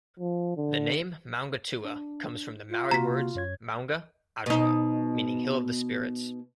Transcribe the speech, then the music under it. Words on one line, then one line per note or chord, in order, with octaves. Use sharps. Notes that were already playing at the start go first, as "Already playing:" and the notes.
The name Maungatua comes from the Maori words "Maunga-atua", meaning "Hill of the spirits".
F3
D3
D4
F4
C3 A#3 F#4 A#5 B6
F#2 C#5 G#6
B2 D#4